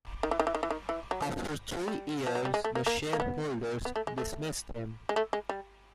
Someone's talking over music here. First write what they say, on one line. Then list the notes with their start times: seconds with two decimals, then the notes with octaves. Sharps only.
After three years the shareholders dismissed him.
0.23 D#3
0.31 E3
0.40 D#3
0.47 E3
0.55 D#3
0.63 E3
0.71 D#3
0.89 E3
1.11 F#3
1.22 F3
1.88 G3
2.27 F3
2.35 F#3
2.45 G3
2.54 G#3
2.64 A3
2.75 A#3
2.86 A#3
3.13 A#3
3.20 B3
3.85 B3
3.96 A3
4.07 G#3
4.18 A3
5.09 G#3
5.16 A3
5.33 G#3
5.49 G3